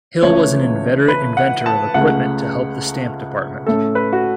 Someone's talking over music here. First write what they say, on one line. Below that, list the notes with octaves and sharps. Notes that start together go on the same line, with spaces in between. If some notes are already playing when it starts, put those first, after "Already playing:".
Hill was an inveterate inventor of equipment to help the stamp department.
C#2 C#3 E3 A3 C#5
B4
F#5
A5
C#2 C#3 A3 F#5
A2 A3 C#4 A4
B4
F#4